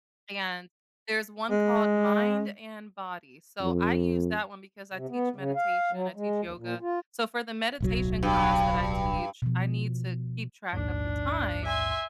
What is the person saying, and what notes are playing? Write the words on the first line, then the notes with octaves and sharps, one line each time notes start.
And, there's one called Mind and Body, so, I use that one because I teach meditation. I teach yoga. So, for the meditation class that I teach, I need to keep track of the time,
G#3
F2
C3
B3
C#3
F5
F#3
G#3
D#2
A#2
F4
D1 B1 F#3
G2
B2 F3
A#1 D#2 G#2 D4
E5 G#5 C6